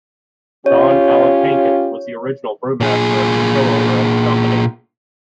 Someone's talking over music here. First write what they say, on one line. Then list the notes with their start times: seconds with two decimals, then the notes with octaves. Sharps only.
Don Alan Hankins was the original brewmaster and co-owner of the company.
0.66 C#4 F4 G4 C#5
2.80 A#2 G#4